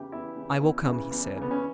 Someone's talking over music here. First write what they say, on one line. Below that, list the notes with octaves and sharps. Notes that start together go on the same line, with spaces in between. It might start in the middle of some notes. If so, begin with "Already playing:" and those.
"I will come," he said.
Already playing: E2 C#3 E3 G4
E2 E4
C#3 E3
E2
C#3 E3
E2
C#3 E3
B3
C#4